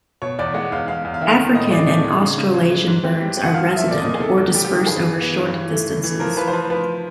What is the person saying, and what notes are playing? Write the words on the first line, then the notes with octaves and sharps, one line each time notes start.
African and Australasian birds are resident or disperse over short distances.
B2 C#5
E2 D5
G#3 F#5
E2 F5
E2 F5
E2
F5
D#3 E5
D#3
A2 D#5
D#5
G#3 D5
A2 D5
G#3
C#3
C#3
E3
G#3
G#2
C4
G3
C4
F#5
F3 F5
F3
E5
A#2 D5
D#5
A#2
G#4
C3 A4
E2
G3
G4
D#3
G2 G#4
E3
B3
G2
E3
A3
A3
E3
F3 A#4
F3 B4
C5
F3 B4
F3 B4